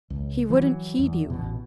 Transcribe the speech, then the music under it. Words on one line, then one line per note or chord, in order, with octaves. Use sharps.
"He wouldn't heed you."
C#2
E3 F#3
E2
A1 B2